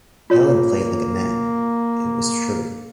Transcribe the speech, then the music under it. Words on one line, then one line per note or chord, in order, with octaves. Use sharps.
Helen played like a man, it was true.
A#3 F4 C#5